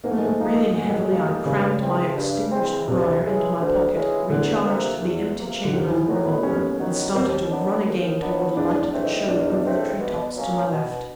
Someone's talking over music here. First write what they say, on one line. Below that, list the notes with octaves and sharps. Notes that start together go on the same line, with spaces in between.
Breathing heavily, I crammed my extinguished briar into my pocket--re-charged the empty chamber of the revolver--and started to run again toward a light that showed over the treetops to my left.
G#2 A#3
A3
G#3
A3
F3 A#3 D#4
G#2 G#3
A3
G#3
F3 G3 A#3 D#4
G2 C#3
E3 G#3 C4
G2
E3 G#3 C4
D2 C3
C#3 E3 G#3
D2
C#3 E3 G#3
E2 D3
C3 F3 A#3
E2
C3 F3 A#3
D3
D#2 D#3
E3
D#3 F#3 A3
B3
D#2 C#4
D#3 F#3
D#2 C4
D#3 F#3 B3 D4
D#2
D#3 F#3 B3 D4
E2 D4
D4
C#3 E3 A3 C4
D#4
E2 D4
D#4
D4
C#3 E3 A3 C4
B2
F#3 A#3 C#4
B2